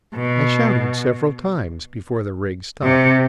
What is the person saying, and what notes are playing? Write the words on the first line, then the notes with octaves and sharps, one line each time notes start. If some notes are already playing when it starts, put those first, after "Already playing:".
I shouted several times before the rig stopped.
B2
C3